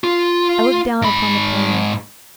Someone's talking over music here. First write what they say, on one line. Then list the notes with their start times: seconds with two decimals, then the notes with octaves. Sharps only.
I looked down upon the plain.
0.04 F4
1.02 G#2 B5